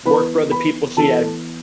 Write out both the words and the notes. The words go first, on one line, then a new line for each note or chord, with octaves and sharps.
work for other people, so yeah
E3 B3 E4 B4 B5
B4 B5
E3 B3 E4 A4 A5